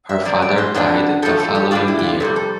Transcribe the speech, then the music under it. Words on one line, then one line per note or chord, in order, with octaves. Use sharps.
Her father died the following year.
E5
F2 C3 G3 D5
D5
C5
E2 B2 B3 D4
A2 F3 A3 A4
A4
G4
A2 G3 D4 F4
E4
G4
F4
F2 C3 G3 A4
A4